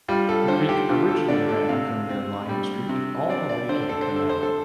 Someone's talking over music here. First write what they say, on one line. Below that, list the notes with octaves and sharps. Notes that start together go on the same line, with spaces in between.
The Creek originally ran from near Lyon Street all the way to the canal.
G3 F4
A4
D3 C5
G4
D3 F4
A4
D3 D5
A4
C3 F5
C4
G3
C3
C4 D5
D5
D3 C5
A4
C5
D3
A4
C5
A4